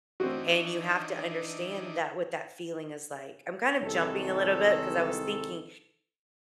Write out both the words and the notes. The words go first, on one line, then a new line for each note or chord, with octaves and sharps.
and you have to understand that what that feeling is like, I'm kind of jumping a little bit 'cause I was thinking
E3 C4 D4 D#4 F#4
C2 D#3 G#3 A4